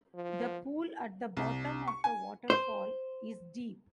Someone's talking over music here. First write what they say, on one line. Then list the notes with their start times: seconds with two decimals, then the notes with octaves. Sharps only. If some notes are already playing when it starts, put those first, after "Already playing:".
The pool at the bottom of the waterfall is deep.
0.15 F3
1.37 C2
1.88 C#6
2.04 G#5
2.50 C5